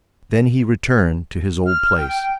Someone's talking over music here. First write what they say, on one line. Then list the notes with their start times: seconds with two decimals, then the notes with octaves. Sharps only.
Then he returned to his old place.
1.66 F6
1.97 G5